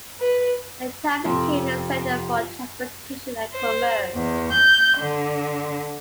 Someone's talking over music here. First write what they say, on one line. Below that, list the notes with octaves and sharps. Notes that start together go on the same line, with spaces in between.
The town became a centre for transportation and commerce.
B4
F2 C3
C5
E2
G6
D3